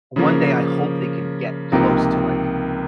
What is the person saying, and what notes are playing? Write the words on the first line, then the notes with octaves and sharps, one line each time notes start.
one day I hope they can get close to, like,
C#3 F3 A#3
C#2 C3 F3 A#3 D#4